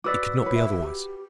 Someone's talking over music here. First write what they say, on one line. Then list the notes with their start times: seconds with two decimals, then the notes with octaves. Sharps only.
It could not be otherwise.
0.04 F#4 B4 D5 D6 E6 B6
0.42 F#4 B4 C#5
0.55 E5
0.81 G4